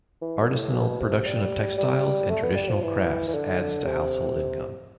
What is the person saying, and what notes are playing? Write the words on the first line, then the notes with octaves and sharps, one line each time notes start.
Artisanal production of textiles and traditional crafts adds to household income.
E3
G2
A2
B2
C3
G3
G3
A3
B3
G3
F3
E3
E3
D3
C3